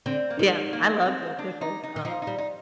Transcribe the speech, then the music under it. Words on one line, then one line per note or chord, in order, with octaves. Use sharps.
Yeah, I love dill pickles. Um,
D3 C4
A#3
D#3 G#3
A#3
C4
D4
D#4
D#4
D#3
F3 D#4
D#4
G3
D#4